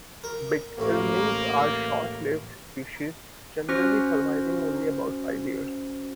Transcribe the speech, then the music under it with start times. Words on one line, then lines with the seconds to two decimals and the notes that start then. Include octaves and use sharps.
Bitterlings are short-lived species, generally surviving only about five years.
0.24 A#4
0.78 A1 A2 A#3
3.69 C#4 F#4 C5 F6 A#6